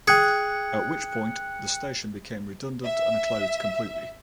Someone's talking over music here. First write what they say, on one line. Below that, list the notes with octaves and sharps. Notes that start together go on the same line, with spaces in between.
At which point the station became redundant and closed completely.
G#4 G5 F#6 C#7
E5